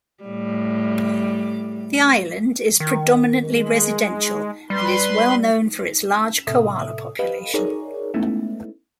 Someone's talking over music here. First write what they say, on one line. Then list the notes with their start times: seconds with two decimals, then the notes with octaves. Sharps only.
The island is predominantly residential and is well known for its large koala population.
0.24 A2 G3
2.80 D#3
3.44 G#3
4.70 G3 B4 C6
6.47 A2 C3 A4 E5 D#6
7.19 G4 B4 D#5 F5
7.54 D#4 F#4 G#4 A#4 C#5 D5
8.14 G#3 A3 B3 C#4 D#4 E4